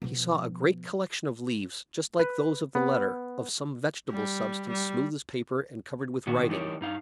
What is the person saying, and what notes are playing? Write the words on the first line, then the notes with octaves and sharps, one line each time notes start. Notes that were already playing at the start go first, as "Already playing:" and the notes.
He saw a great collection of leaves, just like those of the letter, of some vegetable substance, smooth as paper, and covered with writing.
B2 F3
B4
B3
G3
G3
A#2 D#3 F#4
E3 G3 D#4 A#4 C#5
G2 D#4 F5